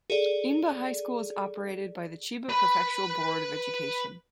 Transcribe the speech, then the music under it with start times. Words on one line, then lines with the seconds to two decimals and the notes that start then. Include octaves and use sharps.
Inba High School is operated by the Chiba Prefectural Board of Education.
0.10 G#4 A4 D5
2.50 B4 B5